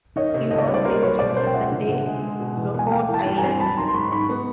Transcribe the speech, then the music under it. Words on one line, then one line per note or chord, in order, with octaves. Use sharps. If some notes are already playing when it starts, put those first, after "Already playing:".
He was based in present-day Rhode Island.
D#3 C#5 D#5
C3
C#2 D#5
D5
G3 C#5
C5 D5
A#3 A#4 C5
F#3 B4 C#5
B2 C5 D5
C#4 A#4 C5
G5
F3 E5 F#5
D3
D2
G#3
G#3
B2
E2
B3 G#5
A3 F5 G5
E3
G5 A5
G2
G#5 A#5
C4
F#3 A5 B5
D#3 A#5 C6
C6
G#2 B5 C#6
G#2 B5 C#6
B3